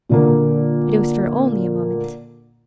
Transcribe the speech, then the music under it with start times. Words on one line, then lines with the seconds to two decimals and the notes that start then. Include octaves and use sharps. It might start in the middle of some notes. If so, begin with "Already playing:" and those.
But it was for only a moment.
0.09 A#2 D3 A#3